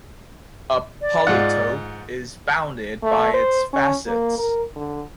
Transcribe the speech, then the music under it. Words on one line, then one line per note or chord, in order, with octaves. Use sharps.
A polytope is bounded by its facets.
D5
G#2 F4 F#5
A3
C5
C#4
A#3
A#4
D3